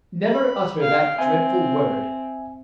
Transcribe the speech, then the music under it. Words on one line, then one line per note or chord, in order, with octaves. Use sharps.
"Never utter that dreadful word."
B5
F5 G5
C4 E5 G#5